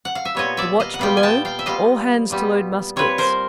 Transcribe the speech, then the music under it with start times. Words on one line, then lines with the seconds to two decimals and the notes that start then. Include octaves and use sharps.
The watch below, all hands to load muskets.
0.05 F#5
0.15 F5
0.25 E5
0.35 A#2 G3 B3 C#5 D#5
0.57 D5 E5
0.80 D#5 F5
0.94 F#5
0.99 A#2 G3 B3 F5 G5
1.17 G#5
1.23 G5 A5
1.45 F5 G5
1.59 E5
1.66 A#2 G3 B3 D#5 F5
2.30 A#2 G3 B3
2.96 A#2 G3 C4 B4 C#5
3.18 A#4 C5